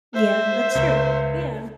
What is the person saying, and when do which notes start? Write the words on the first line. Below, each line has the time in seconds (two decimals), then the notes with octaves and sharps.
Yeah, that's true, yeah.
0.14 C5 E5
0.75 C#2